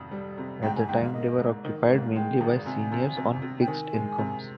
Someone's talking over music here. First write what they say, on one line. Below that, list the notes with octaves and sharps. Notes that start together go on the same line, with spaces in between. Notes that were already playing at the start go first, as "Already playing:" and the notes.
At the time they were occupied mainly by seniors on fixed incomes.
Already playing: G#1 F2 C3
G3
C3
G#2 G5
G#5
G#2 G5
F5
A#3 D#5
G#2
D#3 D#5
F5
G#2
F5
G#3 G5
G#1
C3 G#5
C3
C3
C3
G5
D#3 G#5
G#3
C3